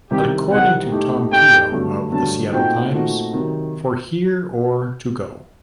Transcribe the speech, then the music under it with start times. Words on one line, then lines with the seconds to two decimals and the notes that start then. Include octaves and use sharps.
According to Tom Keogh of "The Seattle Times" ""For Here or to Go?
0.11 C2 C3 D#3 G3 C4 G4
0.51 C2 C3 D#3 G3 C4 F#5
0.92 A2 A3 D#4 G4
1.32 A2 A3 D#4 G4 G5
1.72 G2 D3 F#3 A3
2.12 G2 D3 F#3 A3 A5
2.52 A#2 A3 C4 D#4 F#4 G5
2.93 A#2 A3 C4 D#4 F#4
3.33 C3 D#3 F#3